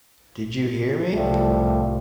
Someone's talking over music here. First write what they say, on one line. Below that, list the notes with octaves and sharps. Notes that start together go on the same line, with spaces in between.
Did you hear me?
C2 A2 F3 G3 A3